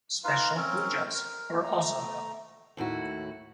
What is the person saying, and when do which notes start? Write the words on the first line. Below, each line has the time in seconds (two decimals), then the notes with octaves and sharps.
Special pujas were also held.
0.24 D#4 F4 B4 F5
0.56 C4 C#4 A#4 C#5
1.14 A#4
1.63 A3 A#5
2.77 D#2 A2 E4 F#4